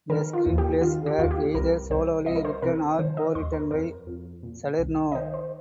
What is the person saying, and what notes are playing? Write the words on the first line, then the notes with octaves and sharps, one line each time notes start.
The screenplays were either solely written or co-written by Salerno.
D#3 A#4
F4
D#2
G4
D#3 F4
G4
D#2 F4
G4
C2 A#4
C2 C5
C2 D#5
A#4
C5
C3 A#4
D#3 C5
D#5
D#2 C6
A#4
F2 A#4
F2
A#2
C2
D#5
D#3 C5
C5